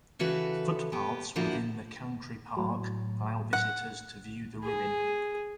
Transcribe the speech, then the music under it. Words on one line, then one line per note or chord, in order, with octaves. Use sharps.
Footpaths within the country park allow visitors to view the ruin.
C#3 E3 F#4 A4 B4
B3 G4
D3 F3 A#3 E4 F#4
A2 F#3
F#5
G#4